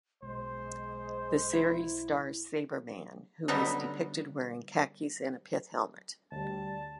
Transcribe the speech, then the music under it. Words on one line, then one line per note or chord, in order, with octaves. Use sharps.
The series stars Sabreman, who is depicted wearing khakis and a pith helmet.
B1 G#3 C5
E4
D3 F#3 G3 B3 D4 D#4
D2 G3 A5